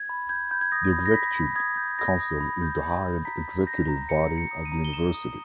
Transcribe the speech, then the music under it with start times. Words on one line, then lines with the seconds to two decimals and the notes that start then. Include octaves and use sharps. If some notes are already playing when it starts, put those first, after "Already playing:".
The Executive Council is the highest executive body of the University.
Already playing: G#6
0.09 B5
0.29 G6 G#6
0.51 B5 G6
0.61 G#6
0.72 D#6 A#6
0.93 B5
1.06 A#6
1.14 B5 B6
1.36 B5
1.56 D#6 G#6
1.77 G6
1.99 B5 A#6
2.20 D#6
2.41 B5
2.62 G6
2.83 B5
3.04 G6
3.25 A#5 B6
3.45 A#5
3.66 G6 A#6
3.88 A#5
4.09 A#5 C#7
4.30 A#5
4.38 C#7
4.51 D#6
4.65 D#7
4.72 A#5
4.85 G7
4.93 D#6 E7
5.14 D#6